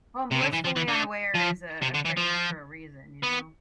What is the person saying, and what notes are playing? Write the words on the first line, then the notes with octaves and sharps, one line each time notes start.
Well, blissfully unaware is a a phrase for a reason, you know?
C3
D3
E3
F3
E3
D3
F3
C3
D3
E3
F3
B3